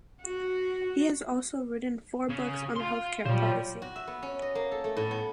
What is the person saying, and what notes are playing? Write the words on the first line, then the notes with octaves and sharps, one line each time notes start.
He has also written four books on health care policy.
F#4
C#3 C#4
F5 C6
A#2 F#3 G3 F4 C5 C#5
F#4
E5
B3
C#4
D#5
A#3
A4
A3
A2
B3